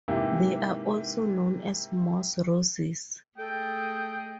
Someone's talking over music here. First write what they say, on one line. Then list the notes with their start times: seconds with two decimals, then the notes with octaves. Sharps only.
They are also known as moss roses.
0.08 G#2 C3 E3 A#3 E4 G4
3.38 A3 G#4 A4 D#5 G5